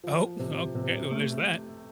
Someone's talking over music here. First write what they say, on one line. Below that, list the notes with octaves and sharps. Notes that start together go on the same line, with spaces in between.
Oh, okay, well, there's that.
F3
C3
C3
A3